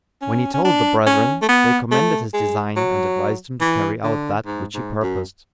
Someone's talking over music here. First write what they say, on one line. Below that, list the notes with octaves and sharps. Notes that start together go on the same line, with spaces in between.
When he told the brethren, they commended his design, and advised him to carry out that which he purposed.
C#4
C#4
D4
C#4
A3
B3
A3
G#3
F#3
E3
D3
G#2
G#2
F#2